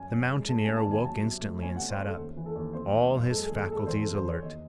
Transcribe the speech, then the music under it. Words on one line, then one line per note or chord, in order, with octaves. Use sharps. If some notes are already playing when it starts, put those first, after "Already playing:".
The mountaineer awoke instantly and sat up, all his faculties alert.
Already playing: F#2 C#4 G#5
C#4
G#3
G#3 A5
C#4 G#5
A5
D#2
G#5
F#3 A5
C3
A3
C#4 G#5
C3 F#5
C5
C#4
A4
D#2
E3
A4
D#2
C4 C5
D#4
F#2
G#3 A4
G#4
D#2
A4
G#3 A4
E2 C5
A4
C3
C5
E2 C#5
D#2 D#5